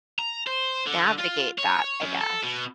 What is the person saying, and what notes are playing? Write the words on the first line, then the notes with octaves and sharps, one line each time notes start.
navigate that, I guess?
A#5
C5
D3
F4
C#5
F#2
A4
B2